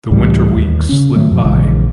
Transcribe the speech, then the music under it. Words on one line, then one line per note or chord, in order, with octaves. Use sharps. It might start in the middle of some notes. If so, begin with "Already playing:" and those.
The winter weeks slipped by.
C#2 A2 E3 G3
D#2
C#3 C#4
A2 D#3 F#3 A3
F#2 B2 F3 F#3
A#1 C#3 E3 G#3